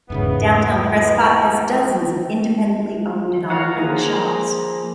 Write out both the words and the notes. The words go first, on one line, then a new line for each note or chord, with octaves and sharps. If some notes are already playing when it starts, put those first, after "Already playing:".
Downtown Prescott has dozens of independently owned and operated shops.
E2 G#2 C#3 E3 B3
F4 A#4 C#5 F5 F#5
F3 A#3 G#4 A#5